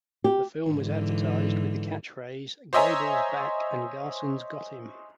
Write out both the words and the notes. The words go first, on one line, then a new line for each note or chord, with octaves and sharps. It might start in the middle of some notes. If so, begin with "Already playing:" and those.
The film was advertised with the catch-phrase Gable's back and Garson's got him!
G4
G#2 D3 E3
C5 C#5 D#5 E5 G#5 A#5